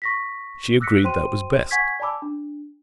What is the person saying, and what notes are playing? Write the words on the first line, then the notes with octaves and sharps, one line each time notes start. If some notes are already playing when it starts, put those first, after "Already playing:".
She agreed that was best.
C#6 A#6 B6
D6 E6 F#6 A#6 B6 C#7
F#4 C5 G5 C6 D#7
F#5 G#5 C#6 G#6 B6
D5 G#5 A5 B5 D6 E6
D4